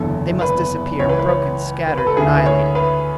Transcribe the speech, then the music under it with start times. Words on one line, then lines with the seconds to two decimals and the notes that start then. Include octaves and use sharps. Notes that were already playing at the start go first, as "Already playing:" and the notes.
They must disappear, broken, scattered, annihilated.
Already playing: F#1 E2 D3 A4
0.41 B4
0.99 C#2 C#3 E3 C#5
1.09 B4
1.19 B4
1.29 C#5
1.87 B4
1.98 B4
2.07 A4
2.17 D2 D3 G#4
2.26 E4
2.37 B4
2.46 C#5
2.75 B4